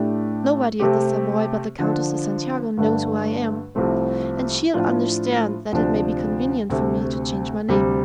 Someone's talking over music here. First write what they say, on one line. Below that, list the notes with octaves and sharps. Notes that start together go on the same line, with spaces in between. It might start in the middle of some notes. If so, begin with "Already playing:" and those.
Nobody at the Savoy but the Countess de Santiago knows who I am, and she'll understand that it may be convenient for me to change my name.
Already playing: A2 A3 D4 G4
C3 A3 C4 G4
D3 F3 D4
G2 D3 A3 D4
C2 C3 F3 A3 C4
A2 F3 D4 F4
D2 C3 F3 D4
D2 C3 A3
D2 C3 G3